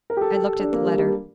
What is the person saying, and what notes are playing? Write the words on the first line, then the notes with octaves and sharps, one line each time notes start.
I looked at the letter.
A#4
G4
A4
G4
D4
A#3
G3
G3